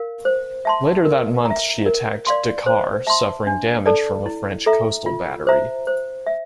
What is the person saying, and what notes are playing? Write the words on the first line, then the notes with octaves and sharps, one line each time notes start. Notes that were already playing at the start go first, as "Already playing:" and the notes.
Later that month she attacked Dakar, suffering damage from a French coastal battery.
Already playing: A#4 F5
C5
E5 A5 C6
A#4
A#5
E5
A#4
D5 F5 C6
C5
E5 A5 C6
D4
A4 D5 A5
E4
A4 E5 A#5
F4
C5 E5 A#5
C5
E5